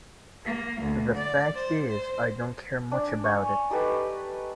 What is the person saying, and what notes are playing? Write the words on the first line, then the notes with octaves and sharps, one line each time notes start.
The fact is, I don't care much about it.
A#3
D2
D5
C5
C5
D4
G#5 C#6
D#4 G4 A4 B4